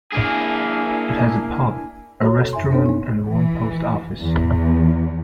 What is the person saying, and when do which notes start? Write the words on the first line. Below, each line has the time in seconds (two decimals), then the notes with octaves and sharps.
It has a pub, a restaurant and one post office.
0.12 A#3 D4 E4 G#4 G#5
2.22 F#4 C#5 A#5
2.38 A4
2.53 F#2 E5 G#5 C6
2.71 B3 C#4 D4 A4 C5 C#5
2.86 A#3 D#4
3.27 E3
4.19 E2